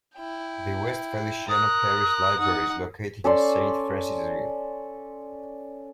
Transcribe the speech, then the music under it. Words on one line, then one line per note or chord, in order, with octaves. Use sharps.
The West Feliciana Parish Library is located in Saint Francisville.
E4 G5
A#4 D#6 F#6
D#4 F#5
C#4 A4 D5 C6